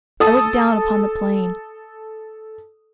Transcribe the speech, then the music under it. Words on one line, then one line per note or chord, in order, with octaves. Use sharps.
I looked down upon the plain.
A4 D#6